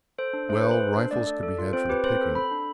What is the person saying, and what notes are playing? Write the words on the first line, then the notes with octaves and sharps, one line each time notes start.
Well, rifles could be had for the picking.
A4 C5
D4
A3 C5
G4 B4
C5
A4
D4
A3 D5
A4
A4
F4
C4 C5
G4 B4
C4 C5
A4
A4 B5
D4